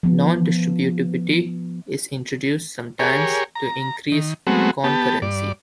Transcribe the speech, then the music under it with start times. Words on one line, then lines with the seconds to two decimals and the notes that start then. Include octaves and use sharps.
Non-distributivity is introduced sometimes to increase concurrency.
0.03 F3 B3
2.99 G4 G#4 A#4 C#5
3.55 A#5
4.12 D#3
4.47 F#3 G#3 A3 B3 C4 F#4
4.84 B3 G4 A5
5.22 G2 D5